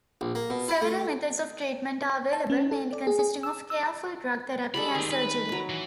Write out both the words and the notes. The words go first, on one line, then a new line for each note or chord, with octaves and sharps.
Several methods of treatment are available, mainly consisting of careful drug therapy and surgery.
A#1
A#3
B2
E4
A3
A5
C#4
A4
D5
G#4
G#4
E6
E6
G3 G#3 A4 B5
D#3 G4 G#4
B4
F#3 A#5
E3